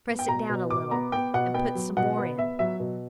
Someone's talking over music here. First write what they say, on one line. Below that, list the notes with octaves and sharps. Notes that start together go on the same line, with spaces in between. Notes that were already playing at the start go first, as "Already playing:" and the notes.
Press it down a little, and put some more in.
B3
G5
B2 A#5
B2
B2 D6
B3 A#5
B3 G5
B2 F#5
B3 G5
F#3
B2 F#5
B3
B3 E5
F#3 E5
B2